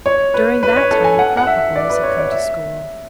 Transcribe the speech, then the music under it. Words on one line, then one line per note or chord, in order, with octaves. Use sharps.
During that time the Cropper boys had come to school.
C#5
B4
B4
C#5
A4
G#5
F#5
F#5
E5
D5
B4
C#5
D5
E5